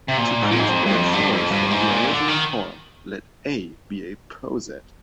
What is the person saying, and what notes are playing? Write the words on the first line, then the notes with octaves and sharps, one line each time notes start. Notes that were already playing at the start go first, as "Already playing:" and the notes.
To prove that it follows from the original form, let "A" be a poset.
C3
A#2
G#2
A#2
G#2
F2
G2
F2
G2
F2
G2
G#2
A#2
D3
D#3